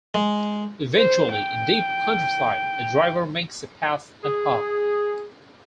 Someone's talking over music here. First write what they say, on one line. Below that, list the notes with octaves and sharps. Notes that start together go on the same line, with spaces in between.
Eventually, in deep countryside, a driver makes a pass at her.
G#3
C5
G5
G#4